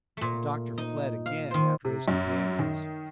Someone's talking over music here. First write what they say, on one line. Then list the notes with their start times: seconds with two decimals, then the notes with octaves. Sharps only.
The doctor fled again after his companions.
0.17 A#2 A3
0.78 D#4
1.26 F5
1.51 D#3 C5
1.85 C3
2.08 F#2
2.59 D#3